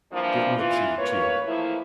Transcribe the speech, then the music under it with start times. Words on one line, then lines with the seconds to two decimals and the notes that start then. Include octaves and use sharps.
Give him the key too.
0.11 E3 F3 G3 A#3 D4
0.57 E3 F4
0.97 A#3 B4 C#5
1.46 E3 F3 A3 A#3 E4